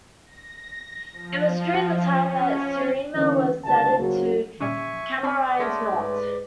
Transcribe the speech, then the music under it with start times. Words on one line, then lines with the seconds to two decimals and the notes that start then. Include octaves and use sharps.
It was during this time that Siruma was ceded to Camarines Norte.
0.25 A#6
1.13 F3
1.98 C#4
3.14 D3 E3 G3 A#3 C4 C#4
3.64 G1 C#2 A3 D4 A4 A5
3.98 C#2 G#2 F#3 A#3
4.60 A#2 G3 C#4 E5 G#5 C#6
5.23 C4 D5 G#5 B5
5.59 G#3 A3 C#4
5.91 G#2 B4